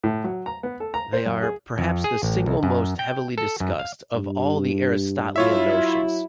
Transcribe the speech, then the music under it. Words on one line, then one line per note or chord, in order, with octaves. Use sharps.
They are "perhaps the single most heavily discussed of all Aristotelian notions".
A2
F#3
A#5
B3
A4
A#5
C5
F#2
G#4
F2
G#4
A1
C2
F#2
G5
A4
F#2
F5
G2
F#3 E4 F4 C#5 E5